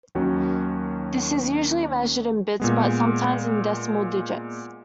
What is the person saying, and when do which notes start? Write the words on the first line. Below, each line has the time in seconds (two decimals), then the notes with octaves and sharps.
This is usually measured in bits, but sometimes in decimal digits.
0.15 D#2 D#3 F#3 C#4 F#4
2.60 A#2 G#3 B3